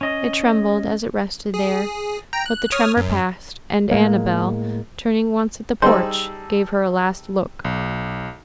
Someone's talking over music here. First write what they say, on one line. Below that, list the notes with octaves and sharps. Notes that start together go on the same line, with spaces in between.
It trembled as it rested there, but the tremor passed, and Annabel, turning once at the porch, gave her a last look.
C#4 D#5
G#4
G5 A#5
F#6
C#5 D#6 F6
F#2
A2 G#3 A#3
G3 D#4 G#4 C5 A5 E6
B1